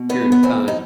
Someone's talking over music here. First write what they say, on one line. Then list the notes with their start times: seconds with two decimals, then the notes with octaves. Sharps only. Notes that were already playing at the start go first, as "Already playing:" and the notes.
period of time.
Already playing: B2
0.09 E2 B3
0.32 B3
0.43 E2 C4
0.68 D#4